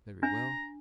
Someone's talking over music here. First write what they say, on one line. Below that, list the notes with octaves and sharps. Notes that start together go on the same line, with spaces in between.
Very well.
D4 A#5